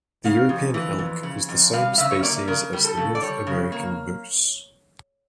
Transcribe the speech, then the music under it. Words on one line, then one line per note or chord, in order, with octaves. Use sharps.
The European elk is the same species as the North American moose.
C#3 F5
F2
E3
F2
C#3
F2
G3 F5
F5
C#3 E5
C#5
A#3 D5
C#3 A#4
G3
A4
C#3
D5
G3 C#5
C#3
A#3